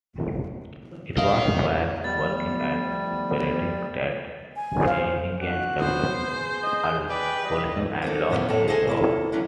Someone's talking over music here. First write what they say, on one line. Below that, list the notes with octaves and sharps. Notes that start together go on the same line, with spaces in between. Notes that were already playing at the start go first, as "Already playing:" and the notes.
It was while working at Brading's that Finnigan developed alcoholism and lost his job.
A#4 D#5 F5
F3 G3 A3 B3 A6
G#5
C5 F5
D4 F#4 F#6
B3 C5
G#4 G6
D#5
B4 D5 G5
G3 D#5
A#3 C4 A4
A#2 C#3 E3 B3 C#4
F#2 A2 A4
G#4 A4 C5 D#5 F5 G#5
A#3 E4 A4
D3 E3 F#3 C#4